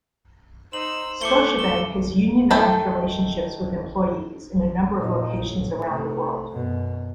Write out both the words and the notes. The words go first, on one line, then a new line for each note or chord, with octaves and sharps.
Scotiabank has unionized relationships with employees in a number of locations around the world.
D#4 C5 E6 F#7
A3 C#4 E4 C5 D6 C#7 G7
E6 G7
D#3 A3 A4 G5 B5
A#2 D#4
A2
C3 A3
F#2 B2